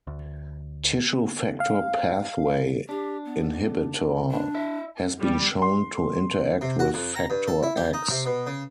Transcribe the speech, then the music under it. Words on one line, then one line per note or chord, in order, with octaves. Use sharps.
Tissue factor pathway inhibitor has been shown to interact with Factor X.
D2
F5
D4 G4
B3
D4
E4 D#5 E5
G3
C6
C3
F#4
F2
A#5
G2
A4
E4
G4
D#4
C3
B2
C#3